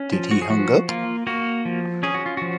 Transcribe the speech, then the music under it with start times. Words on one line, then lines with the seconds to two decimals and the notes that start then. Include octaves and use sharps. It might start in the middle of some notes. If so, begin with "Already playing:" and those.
Did he hung up?
Already playing: C#4
0.12 F3
0.31 F#4
0.42 G#4
0.50 F3 F#4
0.89 A#3 F4
1.27 A#3 F#4
1.65 F3
2.03 C#4 G#4
2.14 F#4
2.26 F4
2.37 F3 F#4